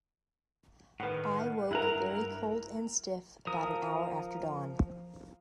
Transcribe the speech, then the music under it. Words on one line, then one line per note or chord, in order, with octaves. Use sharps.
I woke very cold and stiff about an hour after dawn.
A2 D#3 B4 F#5
G2 E4 A#4 F#5 A#5
F3 A#4 D#6